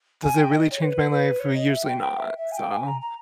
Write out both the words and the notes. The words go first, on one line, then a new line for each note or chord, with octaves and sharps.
does it really change my life? Well, usually not, so
G#5
G5
D#5
C#5
B4
B4
C#5
D#5
E5
G5
G5
E5
E5
G#5
G5
G#5
A#5
A#5